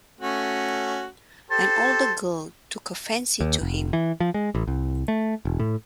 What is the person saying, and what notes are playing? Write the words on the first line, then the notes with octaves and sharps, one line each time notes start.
An older girl took a fancy to him.
A3 C#4 F#4
G4 A4 C5 A6
D#2
F1
E3
F3
G#3
A1
C2
A3
E1
A2